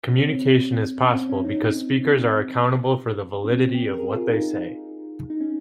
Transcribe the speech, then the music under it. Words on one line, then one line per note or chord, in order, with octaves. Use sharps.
Communication is possible because speakers are accountable for the validity of what they say.
C#4
C4
C#4
C4
C#4
D#4
C4
C#4
C4
G4
A#4
G#4
F4
D#4
D#4
C#4